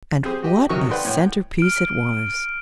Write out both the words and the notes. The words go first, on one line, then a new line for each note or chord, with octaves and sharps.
And what a centrepiece it was!
C4 G4 G#4 C5
F#4 G4 D#5
C3 D#3 F#3 D#5 C#6
B4 D5 F#5 G5 C6
A2 C#5 F#5 G5
F6 D7